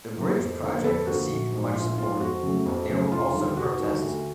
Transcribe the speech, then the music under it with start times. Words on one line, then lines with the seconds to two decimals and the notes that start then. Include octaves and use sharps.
The bridge project received much support, but there were also protests.
0.16 A2 F#3 A#3
0.39 F2
0.62 D3 F3 A#3
0.84 F2 A4 B4
1.07 D3 F3 A#3 F#4
1.29 A#1
1.52 G#2 F3
1.75 A#1 F4
1.98 G#2 F3 F4
2.20 F2 F#4
2.43 C#3 F#3 A3
2.66 F2
2.89 C#3 F#3 A3
3.12 F1 F4
3.34 D#2 D3 G3
3.57 F1 F#4
3.79 D#2 D3 G3
4.02 D2